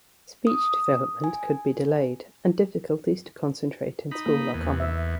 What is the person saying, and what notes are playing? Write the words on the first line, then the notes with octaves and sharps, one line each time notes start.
Speech development could be delayed and difficulties to concentrate in school are common.
D#6
G#5
D#4 B5
A#3
E2
E5